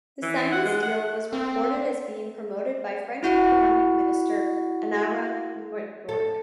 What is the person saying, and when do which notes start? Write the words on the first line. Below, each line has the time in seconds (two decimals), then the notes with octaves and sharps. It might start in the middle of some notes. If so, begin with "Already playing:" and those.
The Siemens deal was reported as being promoted by French economic minister Arnaud Montebourg.
0.22 E3
0.52 F#5
0.65 G#3
0.82 F#5
1.33 C4
3.23 E4 F#4 F#5
6.09 A4